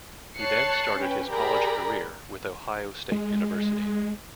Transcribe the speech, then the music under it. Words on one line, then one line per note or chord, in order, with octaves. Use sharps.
He then started his college career with Ohio State University.
C#5 A5 F#6 A6 C7 C#7
C#4 B4 G5
G4 G#4 A#4 D5 A#5 B5
G#3